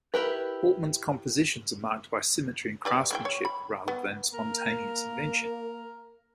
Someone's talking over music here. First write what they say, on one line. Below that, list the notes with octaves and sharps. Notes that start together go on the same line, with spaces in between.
Hauptmann's compositions are marked by symmetry and craftsmanship rather than spontaneous invention.
E4 G4 A#4 B4
G4 B4 D5
G#3 E4 G5
C#5
B5
B3
A#3 A#4